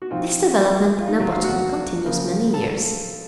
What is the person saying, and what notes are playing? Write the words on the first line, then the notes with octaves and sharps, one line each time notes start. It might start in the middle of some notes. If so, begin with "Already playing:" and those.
This development in a bottle continues many years.
F#4
F3 C4 D#4 F4
F4
D#4
F#3 F#4
F4 F5
F#4 F#5
C#3 F3 A#3
A4 A5